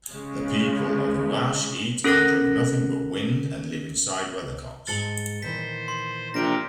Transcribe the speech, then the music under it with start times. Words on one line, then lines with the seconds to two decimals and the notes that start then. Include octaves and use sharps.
The people of Ruach eat and drink nothing but wind, and live inside weathercocks.
0.10 C#3 G#3
2.04 C#4 A4 A#4 F#6 A#6
4.87 G#2 G#3 A5 A6 C#7 G7
5.42 A#2 D#3 E3 C5 B6
5.88 C6
6.34 A#1 C3 G4 A#4 A#6 D7